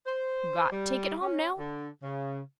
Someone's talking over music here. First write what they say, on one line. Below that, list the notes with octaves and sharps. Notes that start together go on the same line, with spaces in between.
Got take it home now.
C5
G3
C#4
D3
C#3